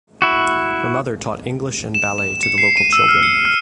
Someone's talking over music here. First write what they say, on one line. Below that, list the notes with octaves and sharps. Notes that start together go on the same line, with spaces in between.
Her mother taught English and ballet to the local children.
E4 F#4
E7
E7
C#7
C7
D#7
E6
F6
C#7
F6